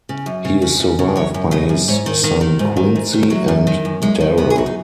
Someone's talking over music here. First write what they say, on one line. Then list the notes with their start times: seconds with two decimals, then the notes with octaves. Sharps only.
He is survived by his son Quincy and Darrell.
0.09 C#3
0.26 F#2
0.45 C#3
0.62 C#3
0.80 C#3
0.99 C#3
1.16 F#2 C#5
1.34 F#2
1.51 C#3 D#5
1.69 F#2
1.88 G#2 C#5
2.06 D#3
2.24 D#3
2.41 D#3
2.59 G#2
2.77 D#3
2.96 G#2
3.13 D#3
3.30 F#2 F#3
3.48 F#2
3.67 D#3
3.85 F#2
4.02 F#2 G#3
4.21 D#3
4.38 F#2 B3
4.50 G#4
4.56 F#2 F#4
4.66 D#4